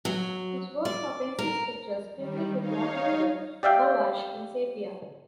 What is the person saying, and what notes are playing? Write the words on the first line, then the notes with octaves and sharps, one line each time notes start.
His works are pencil sketches tinted with watercolour, gouache and sepia.
F#3
D5
A#4
D#3 G3
D#4 C#5 F5
G4 D5 E5 F5 G5